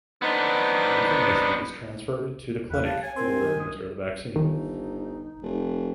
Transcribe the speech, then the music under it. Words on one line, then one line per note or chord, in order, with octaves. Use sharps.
The information is transferred to the clinic who will administer the vaccine.
B3 D4 D#4 B4 C5
E2 B4 F5
G4 F5 A5
C#5 G#5
C4 A#4 C6
D#3
D#6
G1 D#3 D#4
F1